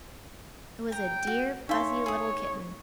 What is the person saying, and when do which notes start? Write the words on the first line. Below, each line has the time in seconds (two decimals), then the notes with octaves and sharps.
It was a dear fuzzy little kitten.
0.92 G5 A#5
1.27 F#4
1.69 D4 D#4 C#5 E5 F5 C6
2.06 G#4 D#6